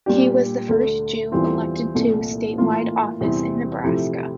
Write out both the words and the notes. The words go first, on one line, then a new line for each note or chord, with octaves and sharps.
He was the first Jew elected to statewide office in Nebraska.
A#2 G3 D4 G4
D2 D3 A3
E2 E3 G3 C4 F4
C2 A#2 A3
A2 E3 A#3 F4
E2 C3 G3 C4 E4
C3 F3 A3 E4 G4